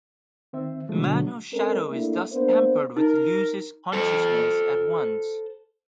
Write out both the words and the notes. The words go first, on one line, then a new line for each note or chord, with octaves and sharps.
The man whose shadow is thus tampered with loses consciousness at once.
D#3 C4 E5
B2 D3 F3 F#3 G#3 A3
G#3 C4 C#4 A4 A#4
A3 A#3 D4 E4
A#3 B3 D4 B4 C5
D#4 A#4
A4 C5